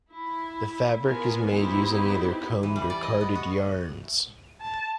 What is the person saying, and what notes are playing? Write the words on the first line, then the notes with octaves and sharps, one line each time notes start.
The fabric is made using either combed or carded yarns.
E4
B3 F4 A#4 G#5
B3 C4 D#4 E4 G4
E3
G3
D5
D#5
B3
F#4
A5